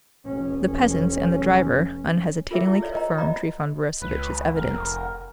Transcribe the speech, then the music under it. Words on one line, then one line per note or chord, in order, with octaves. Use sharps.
The peasants and the driver unhesitatingly confirmed Trifon Borissovitch's evidence.
F1 C#4
F4 A4 A#4 E5 G5 D6
E4
G#4 A4 C#5 D5 F5
A#4 C5 D#5 F5 G5 A#5
D5 D#5 F5 G5 A#5 B5
C#2 B4
F1 A#4